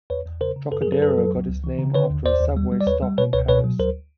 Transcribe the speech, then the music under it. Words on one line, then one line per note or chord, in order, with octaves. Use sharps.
Trocadero got its name after a subway stop in Paris.
E2 B4 C#5
E2
C#3 A#4 C5
C#3
F#2 A4 B4
G#4 A#4
F#3 A4 B4
F#2 A4 B4
F#3
C#2
C#2
E3
C#3
D3 B4 C#5
D#2
D#2 C5 D5
D#2
G3
G3
D5
D#2 B4 C#5
G3
B2 B4 C#5
C#2 B4 C#5
B2 B4 C#5
F#3
D2 A#4 C5